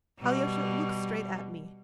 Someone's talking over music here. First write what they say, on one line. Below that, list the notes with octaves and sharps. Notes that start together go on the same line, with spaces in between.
Alyosha, look straight at me!
B2 G3